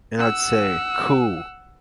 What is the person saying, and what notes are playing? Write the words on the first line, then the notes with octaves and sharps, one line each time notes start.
And I'd say, 'Cool!
F#5 E6